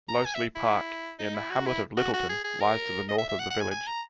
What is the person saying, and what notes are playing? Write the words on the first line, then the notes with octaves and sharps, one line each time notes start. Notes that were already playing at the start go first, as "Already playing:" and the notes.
Loseley Park, in the hamlet of Littleton, lies to the north of the village.
A#5
G#5
E5
E4
D#4
E4
F#4
E4
F#4
F#4
G#4
G#4
A#4
D#5
E5
E5
F#5
F#5
G#5
G#5
A#5